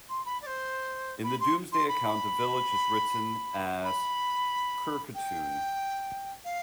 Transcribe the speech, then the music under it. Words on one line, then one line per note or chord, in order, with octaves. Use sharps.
In the "Domesday" account the village is written as "Cherchetune".
C6
B5
D5
C5
B5
C6
C6
B5
B5
G5
F5